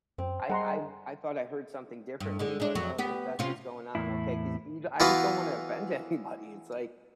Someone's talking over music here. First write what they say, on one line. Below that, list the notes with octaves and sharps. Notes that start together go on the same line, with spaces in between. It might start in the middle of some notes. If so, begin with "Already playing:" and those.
"I I I thought I heard something differently, but, uh, if that's what's going on, okay," 'cause you I just don't wanna offend anybody, it's like
F#2 C4
G3 G#3 F#5 A#5 C6
G2
D3 G#3
G#3 D4
F2 F#3
B3 G4
C3 C#4 F4
E2 A2 E4
E3 B3 F4 F#4 B4